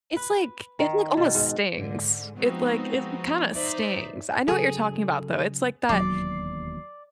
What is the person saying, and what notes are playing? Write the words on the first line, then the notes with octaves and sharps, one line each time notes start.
It's like it, like, almost stings, it, like it kinda stings. I know what you're talking about, though, it's like that
B4
D#3
B2
G#2
G#2 D3
F3 G#3 B3 C4 D#4 F#4
D#4 C5 D5 E5
C#3 F#3 G#4 A4
E1 D#2 F#3 D5 C7